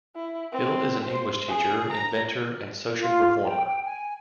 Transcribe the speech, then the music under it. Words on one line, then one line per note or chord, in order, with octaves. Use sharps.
Hill is an English teacher, inventor and social reformer.
E4
C4
C5
G#4
A#5
F4
G5
G#5